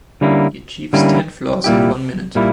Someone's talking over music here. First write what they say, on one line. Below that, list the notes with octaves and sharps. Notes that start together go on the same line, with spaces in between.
He achieves ten floors in one minute.
D3 G3 A#3 C#4 E4
D3 G3 A#3 C#4 E4
A#2 G3 A#3 E4 G4
A#2 G3 A#3 E4